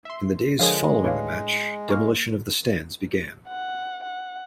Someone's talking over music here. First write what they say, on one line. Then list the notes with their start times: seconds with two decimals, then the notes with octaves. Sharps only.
In the days following the match, demolition of the stands began.
0.05 E5 C6
0.59 D3 F3 G#3 G#4 A#4 C#5 F5
1.04 A2 D4 B4 C#5 F5
1.89 A#3 A#4 C#6 F6
3.48 F#5
4.03 F#5